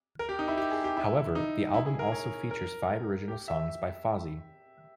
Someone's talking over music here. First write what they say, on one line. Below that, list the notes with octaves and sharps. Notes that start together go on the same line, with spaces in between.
However, the album also features five original songs by Fozzy.
A#4
G4
D#4
E4
G4
G#4
G4
E4
D#4
E4
G#4
A#4
C#5
A#4
G4
E5